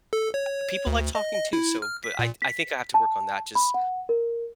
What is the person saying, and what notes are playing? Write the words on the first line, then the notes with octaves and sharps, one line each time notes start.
uh, people like talking too, so, but I I think I have to work on that just
A4
C#5
D2
D#5
D#5
E4
F6
B6
A#2
B6
A5
B5
F#5
A#4